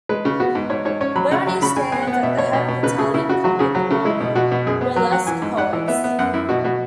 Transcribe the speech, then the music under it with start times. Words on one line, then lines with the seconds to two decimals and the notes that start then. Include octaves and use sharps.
Berni stands at the head of Italian comic or burlesque poets.
0.09 G#3 B4
0.25 C#3
0.40 B3 F#4
0.55 G#2
0.70 G#2 C#5
0.85 G#2 C#5
1.01 C#4 C#5
1.16 F#3 B5
1.31 C#3 F#5
1.47 F#3
1.62 C#3 B5
1.77 C#3 G#5
1.92 B3 G#5
2.03 F#5
2.07 B3
2.13 F#5
2.23 B2 E5
2.37 B2 C#5
2.53 B2
2.68 B2
2.83 C#3 B4
2.98 C#3 G#4
3.14 C#3 E4
3.29 C#3 F#4
3.44 F#3 F#4
3.59 C#3 G#4
3.75 F#3 F#4
3.91 C#3
4.05 G#3 E4
4.21 B2
4.35 B2 F#4
4.52 B2
4.66 F#2 G#4
4.81 B3
4.96 F#3
5.12 F#3 F#5
5.27 E3 G#5
5.42 G#2
5.57 G#2 F#5
5.73 E3
5.88 B3 E5
6.04 B3
6.19 F#2 F#5
6.33 F#2 E4
6.49 B2 F#4
6.64 B2 F#4